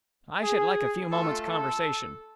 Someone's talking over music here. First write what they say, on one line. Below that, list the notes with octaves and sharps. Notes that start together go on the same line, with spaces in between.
"I should like a few moments' conversation."
G#4
A3 F4 A4
A4